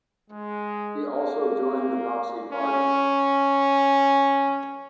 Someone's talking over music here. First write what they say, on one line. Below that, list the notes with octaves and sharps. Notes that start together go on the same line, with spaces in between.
He also joined the Nazi Party.
G#3
A#3
C#4